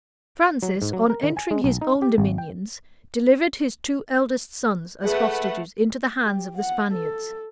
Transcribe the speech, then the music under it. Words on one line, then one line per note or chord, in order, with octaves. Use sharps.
Francis, on entering his own dominions, delivered his two eldest sons as hostages into the hands of the Spaniards.
F#3
G#2
F#3
A#4
D#3
G#5
G#3
B1
D#4
G4
G#1
G5
A3 G#4 B4 F#5
G4
F#5
A4